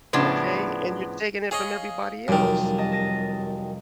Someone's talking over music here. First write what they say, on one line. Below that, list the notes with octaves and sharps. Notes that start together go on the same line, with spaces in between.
Okay, and you're taking it from everybody else.
A2 C#3 F3 B3 D4
G#4 C#5 D#5 F5
F1 F#2 D#3 G3 D5
D#5 A5
A5 A#6 D#7